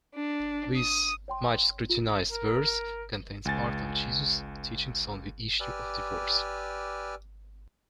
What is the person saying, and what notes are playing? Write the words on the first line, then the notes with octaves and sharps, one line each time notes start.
This much scrutinized verse contains part of Jesus' teachings on the issue of divorce.
D4
D#6
C#5 G5 C6
F4
A#4
C#2 G#5 A6
G4 B4 D5 G#5 E6 F6